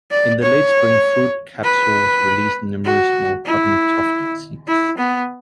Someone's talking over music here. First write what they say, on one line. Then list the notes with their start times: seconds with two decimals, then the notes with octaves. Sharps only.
In late spring fruit capsules release numerous small cotton-tufted seeds.
0.11 D5
0.43 C#5
1.64 B4
2.85 F#4
3.46 E4
4.68 E4
4.98 B3